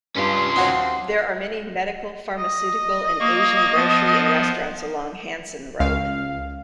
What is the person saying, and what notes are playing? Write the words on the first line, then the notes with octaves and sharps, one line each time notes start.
There are many medical, pharmaceutical and Asian grocery and restaurants along Hanson Road.
G2 C#4 F4 C6
D#2 C4 D#4 F#4 C#5
D#5
A#3 C#6
F3 B3
C#2 F5